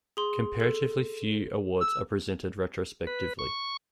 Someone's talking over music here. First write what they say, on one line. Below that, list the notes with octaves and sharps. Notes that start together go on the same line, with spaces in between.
Comparatively few awards are presented retrospectively.
G#4 C6
A4
E6
B4
C#6